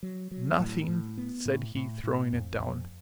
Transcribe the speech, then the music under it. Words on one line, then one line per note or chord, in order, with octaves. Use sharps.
"Nothing," said he, throwing it down.
F#3
F#3
A2
A2
B3
A2
A2
A2
F2
F2